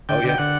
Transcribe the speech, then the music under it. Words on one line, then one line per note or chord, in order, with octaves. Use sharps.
Oh, yeah.
D3 G5
D3 G5
D3 F#5